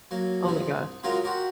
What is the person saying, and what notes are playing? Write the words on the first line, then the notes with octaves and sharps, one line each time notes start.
Oh my gosh.
F#3 A#3
E2 G2 C3 F3
C2
C#3 F#3 G#3 F4 A#4
F#4 G4 A#4